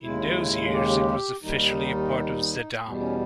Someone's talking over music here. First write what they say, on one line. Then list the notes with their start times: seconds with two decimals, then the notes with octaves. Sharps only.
In those years it was officially a part of Zeddam.
0.03 D#2 C#3 G#3 E4
0.73 G4
1.43 D#2 D#3 G3 D#4
2.83 E2 B2 G3
3.00 C#4